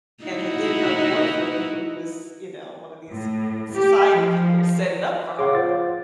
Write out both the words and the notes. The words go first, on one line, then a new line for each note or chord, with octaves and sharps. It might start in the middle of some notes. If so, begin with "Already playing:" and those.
and her then her boyfriend who was, you know, one of these society people set it up for her.
D#4 E4 F#4
A2
G4
F3
C#3 F#5 C6 D6
F3 C5 A6